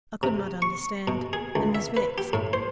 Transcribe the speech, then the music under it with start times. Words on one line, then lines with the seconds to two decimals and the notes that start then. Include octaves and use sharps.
I could not understand, and was vexed.
0.23 C3
0.62 C#6
1.08 B2
1.33 G#4
1.55 C#2
1.75 E5
1.97 B4
2.18 G4
2.33 A2
2.53 C5